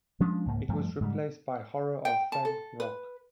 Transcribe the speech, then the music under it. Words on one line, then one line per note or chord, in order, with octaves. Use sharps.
It was replaced by "Horror of Fang Rock".
F3 G#3 C#4 D4
C#2 G#2 A#3
G2 F3 A3
G#2 C#3 G3
G5
A5
A4
B4